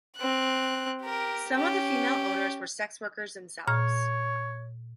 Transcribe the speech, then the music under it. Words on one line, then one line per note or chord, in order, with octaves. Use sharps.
Some of the female owners were sex workers themselves.
C4 F#6
G4 A#4
C#4 G4
A#2 C#5 F6